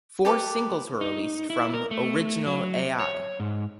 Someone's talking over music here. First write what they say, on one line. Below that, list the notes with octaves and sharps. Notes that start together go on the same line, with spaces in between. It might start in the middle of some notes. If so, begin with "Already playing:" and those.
Four singles were released from "Original Ai".
G4 A4 B4 D6
D#4
E4
A#4
A3
F#3
C#5
G#2